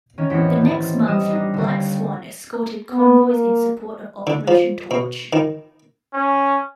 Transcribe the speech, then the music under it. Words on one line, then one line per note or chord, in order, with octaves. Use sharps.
The next month "Black Swan" escorted convoys in support of Operation Torch.
D#3 C#4
A1 E2 C4 B6 C#7
D#3 A6
G3 D#5 D#6 E7
D4 D#4
D#2 D3
B3
A#3
D3
F3
B2
D#3
C#4